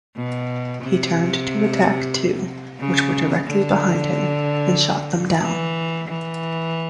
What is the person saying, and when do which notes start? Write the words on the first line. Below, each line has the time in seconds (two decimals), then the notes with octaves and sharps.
He turned to attack two, which were directly behind him, and shot them down.
0.16 B2
0.82 C3
2.79 C#3
3.45 D3
5.42 E3
6.08 E3